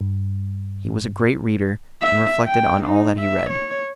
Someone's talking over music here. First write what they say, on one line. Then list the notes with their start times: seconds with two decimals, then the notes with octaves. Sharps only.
He was a great reader, and reflected on all that he read.
0.01 G2
2.02 E5
2.47 G5
2.84 D#4
3.20 E5
3.50 C#5